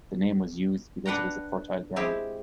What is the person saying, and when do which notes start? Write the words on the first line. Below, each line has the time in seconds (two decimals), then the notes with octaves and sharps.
The name was used because it was a fertile ground.
1.06 D4 B4 F#5 G5 A#5
1.96 G#3 C4 E4 G4